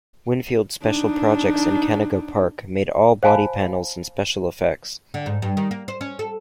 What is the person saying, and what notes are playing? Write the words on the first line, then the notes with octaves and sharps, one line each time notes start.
Winfield Special Projects in Canoga Park made all body panels and special effects.
D4 D#4
C5 F5 G#5 A5 B5
D3
G#2
G2
D#3
A#3
C5
C#4
A4